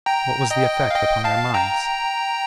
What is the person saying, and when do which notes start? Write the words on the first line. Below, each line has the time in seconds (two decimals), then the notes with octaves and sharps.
What was the effect upon their minds?
0.06 G5 A#5
0.51 D#5 G5
0.90 F5
0.95 D#5 G5
1.24 F5 A5
1.54 G5 A#5